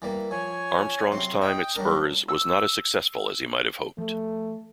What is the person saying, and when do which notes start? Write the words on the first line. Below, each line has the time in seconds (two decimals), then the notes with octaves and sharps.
Armstrong's time at Spurs was not as successful as he might have hoped.
0.02 E3 G3 A#3
0.31 F3 C#5 G#5
1.12 C3 F#3 C6
1.42 D#5 G5
1.76 F#3 G3 D4 A#4
2.28 E6
3.98 F3 A3